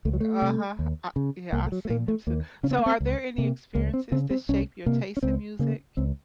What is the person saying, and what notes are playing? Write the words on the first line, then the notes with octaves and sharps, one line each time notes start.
Uh-huh. I yeah, I've seen him too. So, are there any experiences to shape your taste in music?
C#2 A3
F#3
A3
C3
D#2
C#3
C2 A#3
A3
F#3
A3
A#2 A#3
A3
D#2 A#3
C#3 C#4
C4
A#3
C4
C#2
C3 A#3
C#2 A#3
C4
C#3 C4
C4
C2 C#4
C3 A#3
C#4
C#2 C4
C#3 A#3
C#2 C4